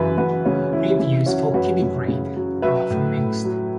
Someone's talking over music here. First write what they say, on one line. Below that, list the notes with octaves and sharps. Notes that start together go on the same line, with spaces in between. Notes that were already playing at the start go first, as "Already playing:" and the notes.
Reviews for "Kiddy Grade" are often mixed.
Already playing: F#2 C#3 E3 B4 E5
F#2 F#4 B4
C#3 C#4 F#4
E3 E4
C#3 E4
F#3 C#4 F#4
F#2 F#4 B4
F#2
C#3
F#3
F#3 B4 E5
A2
A2
F#3